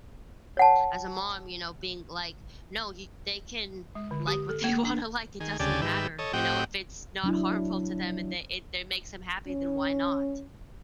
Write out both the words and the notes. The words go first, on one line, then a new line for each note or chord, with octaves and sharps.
as a mom, you know, being like, "No, y they can like what they wanna like, it doesn't matter, you know, if it's not harmful to them and they it it makes them happy, then why not?
C#5 F#5 A5
G#3
D3
G4
A4
A#3
D4
D#3 G#4
D2 C#3 G4 G#4 D5 A5
G#2 D#3 G4 B4 E5
A4 C#5 D#5
A2 C4 G4 D#5 F#5 G5
F#3 D4 E4
C#4